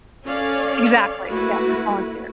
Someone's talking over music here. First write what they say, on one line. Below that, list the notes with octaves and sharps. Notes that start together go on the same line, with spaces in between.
Exactly, yes, it's voluntary,
C#4 A4 C#5 D5 F5
A3 A#3 E4 F#4 B4